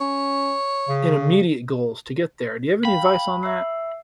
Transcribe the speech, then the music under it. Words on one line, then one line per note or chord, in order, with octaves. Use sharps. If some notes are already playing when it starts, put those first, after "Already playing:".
intermediate goals to get there. Do you have any advice on that?
C#4 C#5
C#3
F5 G5 B5
E5 E6 C7